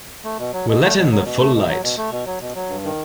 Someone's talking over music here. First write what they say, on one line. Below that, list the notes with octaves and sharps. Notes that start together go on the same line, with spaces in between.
We'll let in the full light.
A3
B2
F#3
B2
A3
B2
F#3
B2
A3
B2
F#3
B2
A3
B2
F#3
B2
F#3
G2
D#3